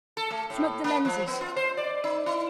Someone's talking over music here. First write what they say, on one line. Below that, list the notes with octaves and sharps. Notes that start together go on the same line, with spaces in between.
Smoke the lenses.
A4
A3
A2
A#3
F3
B3
F4
C5
D5
D#4
E4